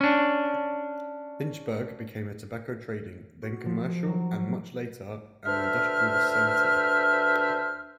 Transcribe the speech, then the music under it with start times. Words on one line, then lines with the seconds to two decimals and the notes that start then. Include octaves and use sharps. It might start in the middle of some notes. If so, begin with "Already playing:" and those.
Lynchburg became a tobacco trading, then commercial, and much later an industrial center.
0.01 C#4 D4
3.42 F#4
3.66 F3
4.06 F#3
5.46 D2 D4 B4 C5 E5 F6